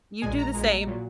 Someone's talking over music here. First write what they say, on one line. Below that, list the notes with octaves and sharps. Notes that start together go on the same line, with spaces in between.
You do the same.
A#1 A#2 G#3 G#5
A#5
A#1 A#2 G#3
A#2 F#3